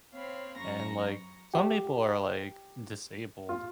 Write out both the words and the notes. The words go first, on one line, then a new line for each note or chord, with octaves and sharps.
And, like, some people are, like, disabled,
C4 C#5 F5 B5
F#2 A#5 C#6 A#6
G4
F4